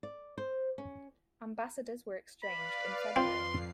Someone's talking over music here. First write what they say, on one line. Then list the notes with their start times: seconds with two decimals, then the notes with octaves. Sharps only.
Ambassadors were exchanged in February.
0.03 D5
0.38 C5
0.78 C#4
2.43 B4 D5 F5 B5
3.16 F2 C4 F4 C6 C7